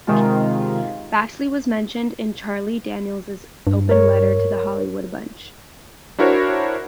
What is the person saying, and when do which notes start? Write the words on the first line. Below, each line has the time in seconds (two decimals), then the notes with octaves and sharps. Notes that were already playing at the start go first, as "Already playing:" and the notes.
Baxley was mentioned in Charlie Daniels' "Open Letter to the Hollywood Bunch".
0.07 C3 D#3 G#3 F4
3.67 G2
3.89 A#4 C#5
6.19 D4 E4 F#4 A#4 C5 C#5